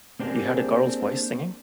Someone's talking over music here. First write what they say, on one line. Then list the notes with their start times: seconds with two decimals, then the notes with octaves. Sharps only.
You heard a girl's voice singing?
0.19 A#3 C4 D4 G4 G#4 A#4